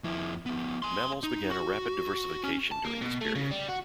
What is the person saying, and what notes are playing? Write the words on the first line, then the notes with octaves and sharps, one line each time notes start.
Mammals began a rapid diversification during this period.
F2 E4
F3 B3
G#5 C6
D#4
F#4
C#4
A5
A#3
B2
A3
C#3
G3
F#4